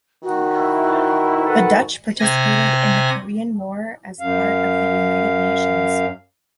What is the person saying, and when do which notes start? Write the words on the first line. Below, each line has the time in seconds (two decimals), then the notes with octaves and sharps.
The Dutch participated in the Korean war as part of the United Nations.
0.23 D#3 F#4
0.56 E4
1.44 A4 B4 F#5
2.20 C3 G#5 A#6
4.20 F#2 F5